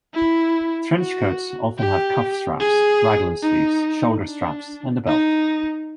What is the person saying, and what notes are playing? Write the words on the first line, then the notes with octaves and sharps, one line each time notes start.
Trench coats often have cuff straps, raglan sleeves, shoulder straps and a belt.
E4
F#4
G4
G#4
D#4
D4
D#4